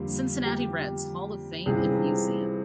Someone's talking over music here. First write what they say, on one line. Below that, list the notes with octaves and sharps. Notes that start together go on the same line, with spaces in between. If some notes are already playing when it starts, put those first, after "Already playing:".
Cincinnati Reds Hall of Fame and Museum.
Already playing: F2 D3 G3 A#3 G4
G4
C#2 C3 E3 G3 G#4